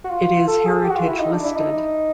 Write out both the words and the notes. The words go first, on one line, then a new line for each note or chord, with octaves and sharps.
It is heritage-listed.
F#4
F4
A4
G#4
G4
F#4
F4
E4
D#4
D4
E4
D#4